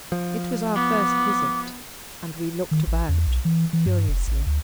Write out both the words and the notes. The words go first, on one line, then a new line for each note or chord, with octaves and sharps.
It was our first visit, and we looked about curiously.
F3
B3 D6
D#3
A1
E2
B1
E3
E3
G2
F1
A1
D2